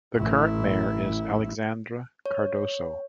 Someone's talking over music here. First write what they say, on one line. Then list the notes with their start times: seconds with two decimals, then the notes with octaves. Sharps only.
The current mayor is Alexandre Cardoso.
0.16 A1 E4
2.26 C#5